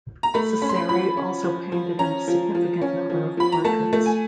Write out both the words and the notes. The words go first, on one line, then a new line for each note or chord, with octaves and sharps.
Ciseri also painted a significant number of portraits.
A#5
A3 B5
C#4 B5
C6
B5
F3 B5
C#4
F3
F3
C#4 A#5
F3
F3
C#4
F3
F3 B5
A#5
A3 A5
A3
G#5